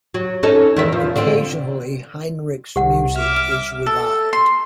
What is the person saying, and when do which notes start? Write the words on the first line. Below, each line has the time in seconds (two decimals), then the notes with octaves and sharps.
Occasionally Heinrich's music is revived.
0.14 F#3
0.43 C#4 D#4 A4
0.76 E2 D#3 E5
0.92 F3
1.16 D3 C4
2.76 C2 G4 F#5
3.16 E5 D6 F6
3.86 A4
4.33 C6